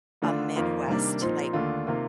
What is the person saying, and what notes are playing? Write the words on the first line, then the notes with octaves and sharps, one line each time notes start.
a Midwest, like,
D2 D3 A3 D4 F4
F2 D#3 A#3 F4
C3 D#3 G3 A#3 D4
A#2 F3 C4 D#4
D#2 D3 A3 D4 F4
C3 D#3 A#3 F4